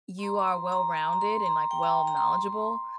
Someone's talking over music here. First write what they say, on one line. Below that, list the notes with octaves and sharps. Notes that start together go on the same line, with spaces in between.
you are well-rounded and, like, well knowledgeable
C6
A#5
C6
A#5
A#5
A#5
A#5
C6
A#5
G5
A#5
A#5
C6